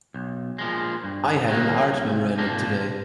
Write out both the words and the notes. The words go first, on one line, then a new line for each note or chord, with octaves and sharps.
I had an art memorandum today.
B1
A#2 F3 G#3
G2
D#3 F#3 A#3
C2
C3 F3 A#3 D4